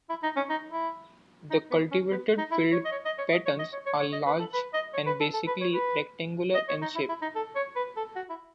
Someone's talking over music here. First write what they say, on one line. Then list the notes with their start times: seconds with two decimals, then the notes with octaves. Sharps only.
The cultivated field patterns are large and basically rectangular in shape.
0.09 E4
0.23 D#4
0.36 C#4
0.50 D#4
0.70 E4
1.50 D#4
1.71 B3
1.91 C#4
2.11 B3
2.38 D#4
2.51 E4
2.72 C#5
2.85 D#5
2.92 C#5
3.05 D#5
3.18 C#5
3.32 D#5
3.46 C#5
3.59 D#5
3.73 C#5
3.86 C#5
3.99 C#5
4.12 D#5
4.26 B4
4.39 A4
4.53 B4
4.74 D#5
4.93 C#5
5.06 B4
5.20 A4
5.34 A4
5.47 B4
5.61 C#5
5.74 B4
6.55 D#5
6.68 C#5
6.82 D#4
6.95 E4
7.08 E4
7.22 D#4
7.35 A4
7.55 C#5
7.76 B4
7.96 A4
8.16 F#4
8.30 E4